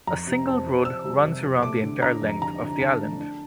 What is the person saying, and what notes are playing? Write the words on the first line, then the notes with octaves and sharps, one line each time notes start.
A single road runs around the entire length of the island.
F2 A#5
C3
C4 A5
C4
C4 E6
G3
C3
C3
A3 D6
D3
D4 A#5
F2
D3 A#5
D3
D3 A5
A3
D4